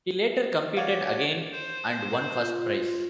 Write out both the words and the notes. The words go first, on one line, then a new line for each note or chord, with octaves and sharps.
He later competed again and won first prize.
F#4 C#5 D5 F5
C5
F4